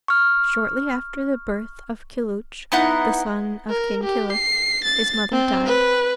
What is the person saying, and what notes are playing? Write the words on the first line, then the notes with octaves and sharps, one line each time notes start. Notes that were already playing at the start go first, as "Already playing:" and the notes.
Shortly after the birth of Kilhuch, the son of King Kilyth, his mother died.
C#6 F6
B3 D#4 E4 F#5
A#4
G4
C7
A6
C4
B4